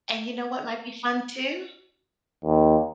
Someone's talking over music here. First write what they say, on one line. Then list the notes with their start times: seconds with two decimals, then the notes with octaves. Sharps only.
And you know what might be fun too?
2.44 D#2